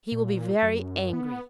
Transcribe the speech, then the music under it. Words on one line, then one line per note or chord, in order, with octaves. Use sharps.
"He will be very angry."
A#2
F#2
B3